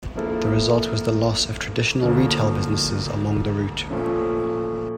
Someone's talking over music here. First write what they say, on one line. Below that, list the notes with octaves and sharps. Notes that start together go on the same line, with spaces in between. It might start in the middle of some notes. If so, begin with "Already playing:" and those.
The result was the loss of the traditional retail businesses along the route.
F3 A#3 E4 A4
D2 D3 F3 A#3 C#4
A#2 F3 A3 C#4